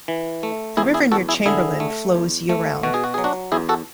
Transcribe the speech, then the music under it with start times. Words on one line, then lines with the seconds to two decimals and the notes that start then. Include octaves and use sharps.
The river near Chamberlain flows year-round.
0.08 E3
0.43 A3
0.77 E2 E4 G#4
0.94 E4 G#4
1.12 E2 F#4 A4
1.29 E4 G#4
1.46 D3 E4 G#4
1.80 A3
2.15 E2
2.49 A3
2.83 B2 F#4
2.94 G#4
3.04 F#4
3.14 F#3 G#4
3.24 D4 F#4
3.52 E2 E4 G#4
3.69 F#4 A4